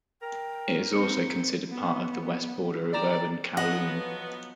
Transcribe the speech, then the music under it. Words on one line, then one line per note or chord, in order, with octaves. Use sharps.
It is also considered part of the west border of urban Kowloon.
A#4 G5
A#3 C4 C#7
B3
G4 D5 A#5 E7
F3 F#3 B3 D#5 F#5